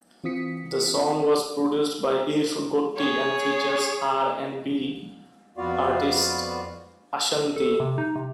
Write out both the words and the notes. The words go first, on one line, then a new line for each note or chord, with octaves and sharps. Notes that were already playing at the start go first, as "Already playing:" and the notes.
The song was produced by Irv Gotti and features R and B artist Ashanti.
E3 C4 F4 D#6 B6 C#7
G#4 C#5
F2 B3 F4 F#4 D5 F5
A4
C3
D#4
C3